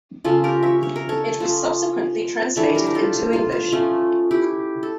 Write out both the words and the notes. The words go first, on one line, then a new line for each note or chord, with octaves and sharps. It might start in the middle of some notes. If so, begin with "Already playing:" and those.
It was subsequently translated into English.
C#3 F3 C#4 F4 A4
G4 A#4
C#5 E5
C#5
A#4
A4 C#5
F3 C#4
E3 A3 D4 A4 C#5
G4 A#4
A#4
F4 A4
F4
F4
F3 A3 C#4
E4 G4
A4